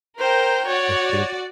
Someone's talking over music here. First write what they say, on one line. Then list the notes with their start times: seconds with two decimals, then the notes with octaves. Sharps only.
I think
0.19 A#4 C5 G5
0.67 F#4 C#5 D5